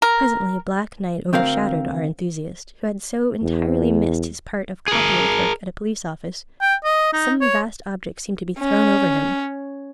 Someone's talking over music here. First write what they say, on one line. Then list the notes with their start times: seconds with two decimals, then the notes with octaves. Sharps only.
Presently black night overshadowed our enthusiast, who had so entirely missed his part of copying-clerk at a police-office; some vast object seemed to be thrown over him.
0.02 A#4
1.33 D2 C4 A#4 F5
3.43 E2
4.88 G#4 A#4
6.61 G5
6.84 D#5
7.13 D#4
7.41 C#5
8.59 C#4